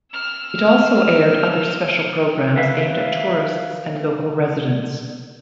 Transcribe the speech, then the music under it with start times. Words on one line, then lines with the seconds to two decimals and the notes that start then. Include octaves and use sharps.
It also aired other special programs aimed at tourists and local residents.
0.12 E6 F6
2.57 B4 E5 F5